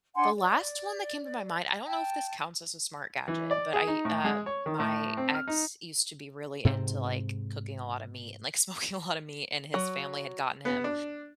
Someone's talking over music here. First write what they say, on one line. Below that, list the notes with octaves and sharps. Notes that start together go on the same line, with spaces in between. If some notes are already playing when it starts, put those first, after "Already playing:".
the last one that came to my mind, I don't know if this counts as a smart gadget, but I, uh my ex used to be really into, like, cooking a lot of meat and, like, smoking a lot of meat, and his family had gotten him
D4 F#5 G#5 C6
D5
G5 A5
E3
D5
G#4
D#4
A2
G#3
C#5
D#3
A2
C4
F6
D#4
G#2 C3 C4
F#3
B3
D4